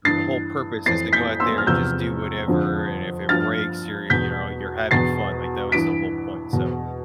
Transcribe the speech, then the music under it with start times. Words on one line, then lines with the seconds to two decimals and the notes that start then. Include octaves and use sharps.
The whole purpose is to go out there and just do whatever, and if it breaks, you're you're, you know, you're having fun, like, that was the whole point, so,
0.05 G2 E3 A6 C7
0.86 F2 E3 A6 C7
1.13 G6 B6
1.40 C6 E6
1.58 F6
1.67 E2 C3 F3 E6 G6
2.48 F2 D3 F3
3.29 G2 F3 F6 A6
4.10 E2 B2 G6 B6
4.91 E2 B2 A6 C7
5.72 G2 E3 B6 D7
6.53 E2 B2